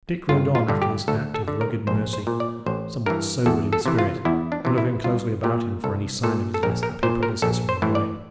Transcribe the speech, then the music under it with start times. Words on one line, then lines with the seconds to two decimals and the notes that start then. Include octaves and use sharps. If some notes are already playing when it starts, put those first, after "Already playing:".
Dick rode on after this act of rugged mercy, somewhat sobered in spirit, and looking closely about him for any sign of his less happy predecessor in the way.
0.29 G1 F4
0.55 F4
0.68 G2 D3
0.82 G4
1.08 D2 A4
1.34 A4
1.48 D3
1.61 A#4
1.87 A#1 C5
2.13 C5
2.27 A#2
2.40 D5
2.66 A1 C5
3.06 G2 E3 A#4
3.46 E2 A4
3.73 A4
3.86 C3 E3
3.98 F4
4.25 E2 E4
4.52 D4
4.65 C3 E3
4.78 E4
5.04 C2 F4
5.44 A#2 G4
5.84 C2 A4
6.23 A#2 A4
6.54 A4
6.63 A#1 A#4
6.83 A#4
7.03 A#2 C5
7.23 A#4
7.42 A#1 A4
7.69 C5
7.82 A2 E3
7.95 D5